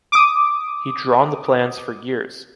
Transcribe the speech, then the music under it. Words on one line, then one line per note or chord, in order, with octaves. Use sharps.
He drawn the plans for years.
D6 D#6